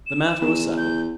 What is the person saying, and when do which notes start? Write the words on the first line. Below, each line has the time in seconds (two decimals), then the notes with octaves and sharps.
The matter was settled.
0.07 E7
0.41 E2
0.78 G6